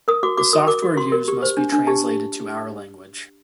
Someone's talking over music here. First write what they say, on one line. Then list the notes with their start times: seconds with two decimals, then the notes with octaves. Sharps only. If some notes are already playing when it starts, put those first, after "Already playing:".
The software used must be translated to our language.
0.08 A#4 D#6
0.23 F#4 D6
0.38 F#4 D6
0.53 A#4 D#6
0.67 A#4 D6
0.82 F#4
0.97 F#4 C6
1.12 A#4
1.28 G4
1.42 C5
1.57 D4
1.72 D4
1.87 G4 A5